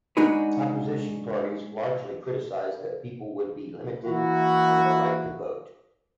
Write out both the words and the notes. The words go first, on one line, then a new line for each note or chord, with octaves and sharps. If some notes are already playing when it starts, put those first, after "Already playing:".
Opposition parties largely criticised that people would be limited on their right to vote.
G#3 D4 D#4 F#4 G#4 B4
E3 A#3 E4 F#4